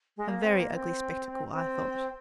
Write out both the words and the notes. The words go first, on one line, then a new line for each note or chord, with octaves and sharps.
A very ugly spectacle, I thought.
G#3
A#3
C4
A#3
C4
C4